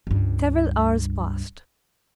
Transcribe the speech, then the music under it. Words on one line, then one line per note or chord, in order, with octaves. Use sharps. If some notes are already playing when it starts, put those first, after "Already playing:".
Several hours passed.
C#2 G2